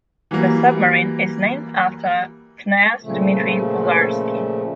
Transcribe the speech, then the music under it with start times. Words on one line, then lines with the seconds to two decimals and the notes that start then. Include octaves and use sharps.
The submarine is named after Knyaz Dmitry Pozharsky.
0.31 E3 F#3 G3 A#3
3.03 A#2 C#3 F3 A3